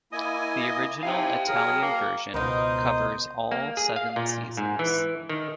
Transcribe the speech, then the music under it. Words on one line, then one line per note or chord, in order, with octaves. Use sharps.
The original Italian version covers all seven seasons.
A#3 E4 D#5 G#5
C3 D#4 E4 F5 G5 G#5
F#3 G#4 A#4
A#3 A#4
C#2 B2 B3 D#4 A#4 C5 D#5
A#3
G#4
F5
A#2
G#2
E3
D#3